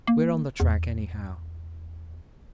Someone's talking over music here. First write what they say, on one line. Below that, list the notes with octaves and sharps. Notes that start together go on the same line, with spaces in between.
We're on the track anyhow.
A#3
E2